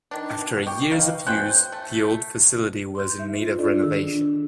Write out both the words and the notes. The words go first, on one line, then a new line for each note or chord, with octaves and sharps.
After years of use the old facility was in need of renovation.
D#3 D4
B2 E3
G4 G5 C#6
D#4 B4 F5
C#4 C5 G5 F#6 G6
A3
C6 G6
D#4 E5
F4
D4 F4 A4 D5 D#5
D#3 G#4 E6
D4